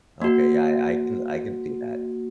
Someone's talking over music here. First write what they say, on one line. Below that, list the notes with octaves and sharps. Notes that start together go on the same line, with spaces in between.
okay, yeah, I I can I can see that.
A#3 F#4